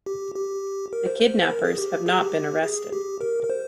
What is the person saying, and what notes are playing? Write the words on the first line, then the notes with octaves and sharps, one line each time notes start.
The kidnappers have not been arrested.
G4
G4
A#4
C5
C5
A#4
G#4
G4
G#4
G4
G#4
G4
A#4
A#4
C5